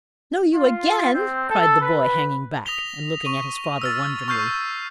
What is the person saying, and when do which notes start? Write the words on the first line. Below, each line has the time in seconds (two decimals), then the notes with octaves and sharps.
"Know you again!" cried the boy, hanging back, and looking at his father wonderingly.
0.54 F4
1.14 C4
1.50 A4
1.81 B4
2.66 D#6 A#6 B6 F7 G7
3.25 C#6 D#7
3.82 E6 F6 A6
4.28 C#6 F6 G6 C7